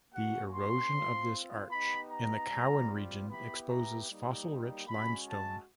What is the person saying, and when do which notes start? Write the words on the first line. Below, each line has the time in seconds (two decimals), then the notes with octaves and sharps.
The erosion of this arch in the Cowan region exposes fossil-rich limestone.
0.11 A#3 C#4 F#4 F#5
0.51 C6
0.91 C4 F4
1.69 B3 D#4 G4 B5
2.09 A#5
2.49 G3 C4 F4
3.28 B3 E4 G4 B5
3.68 A#5
4.08 G3 A#3 D#4 G4
4.87 G#3 C#4 F#4 B5
5.27 A5